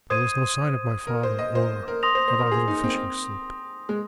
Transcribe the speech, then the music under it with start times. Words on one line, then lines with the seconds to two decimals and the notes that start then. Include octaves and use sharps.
But there was no sign of my father or of our little fishing sloop.
0.10 C5 D#6 G#6 D#7
1.07 A#4
1.23 C5
1.39 D#5
1.55 C5
1.88 A#4
2.03 C6 D#6 A#6 F7
2.15 C5
2.28 C5
2.39 A#4
2.51 G#4
2.68 D#4
2.84 C4
3.89 G#3